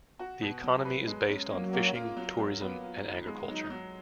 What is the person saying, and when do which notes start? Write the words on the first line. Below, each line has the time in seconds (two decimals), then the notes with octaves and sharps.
The economy is based on fishing, tourism and agriculture.
0.19 F#4
0.42 B2
0.64 F#3
0.85 B4
1.07 G#3
1.29 C#4
1.51 F#3 A#3
1.73 A#3
1.95 F4
2.17 F#3
2.39 F#3
2.61 B3
2.83 F4
3.05 D#3
3.27 G#3
3.48 F#3 D#4
3.70 F#3